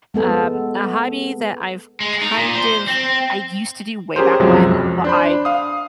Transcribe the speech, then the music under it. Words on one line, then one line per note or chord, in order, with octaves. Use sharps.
um, a hobby that I've, kind of, I used to do way back when, but I
G#3 B3 A4
G#3
D#4
A#2
C5
C4
C#4 G4 G#4 A#4 C5
C#2 F#2 C3 F3 F#3 G#3
F2
D4 C5 B5
F5 D#6